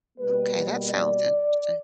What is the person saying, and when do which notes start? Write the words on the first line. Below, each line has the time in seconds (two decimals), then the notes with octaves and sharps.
Okay, that sounds interesting.
0.18 B2 G3 A#3 B4
0.89 D5